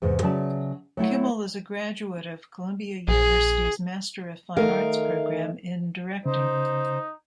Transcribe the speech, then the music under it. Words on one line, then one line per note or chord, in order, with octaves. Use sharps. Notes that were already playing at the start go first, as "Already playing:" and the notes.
Kimmel is a graduate of Columbia University's Master of Fine Arts program in Directing.
E2 G#2 C3
C#3 F#3 D5 E5 A5
F#3 A3 E4 F#5
A#1 G#4
D#3 A3 A#4 F5
C#3 D#4 C5